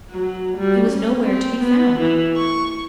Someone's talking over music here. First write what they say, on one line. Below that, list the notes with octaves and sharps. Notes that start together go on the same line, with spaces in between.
She was nowhere to be found.
F#3
G3
C#4
C4
B3
E3
C#6